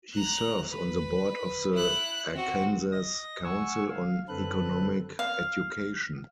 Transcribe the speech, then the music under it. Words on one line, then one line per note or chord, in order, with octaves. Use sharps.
He serves on the board of the Arkansas Council on Economic Education.
A#5 F#6
B4
E4 F#6
C4 F#4
D#5 A#6
F#5 G#5 C#6 E6
F5
F#2 D3 C4 A4 B4 F#6
F5